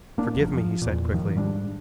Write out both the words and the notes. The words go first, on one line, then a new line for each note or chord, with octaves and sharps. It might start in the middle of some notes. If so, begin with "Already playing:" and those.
"Forgive me," he said quickly.
A#3 D4
F#1 F2 F3 F#3
F3
E2 A#2
G#2 D#3 F3 F#3
G#2 G3 C4 D4